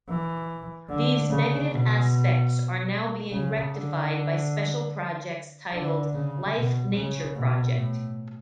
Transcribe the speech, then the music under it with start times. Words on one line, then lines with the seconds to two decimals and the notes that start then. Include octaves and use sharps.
These negative aspects are now being rectified by special projects titled "Life-Nature Project".
0.09 E3
0.89 D3
1.30 C#3
1.71 B2
3.32 C#3
3.73 D3
5.74 D3
6.14 C#3
6.55 B2
6.95 C#3
7.35 B2
7.76 A2